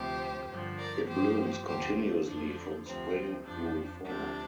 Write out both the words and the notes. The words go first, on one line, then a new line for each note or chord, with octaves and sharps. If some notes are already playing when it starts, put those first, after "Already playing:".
It blooms continuously from spring through fall.
Already playing: D2 C3 F3 G4 C5
G2 D3 F3
A#4 D5
G2 F3 G4 C5
D2 D3 F3 G4 C5
D4
F2 D3 F3 D4
D2 C3 F3 C4
F2 F3 D4
D2 C3 F3 D4